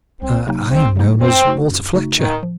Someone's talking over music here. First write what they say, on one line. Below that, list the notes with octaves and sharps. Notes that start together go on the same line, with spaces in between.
"I am known as Walter Fletcher."
C2 C4
C3 F#3 A#3 D#4
C2 C4
C3 F#3 A#3 D#4
F#2 C4
C#3 A3 D#4 F#4
F#2
C#3 A3 D#4 F#4
A2 D#3
F3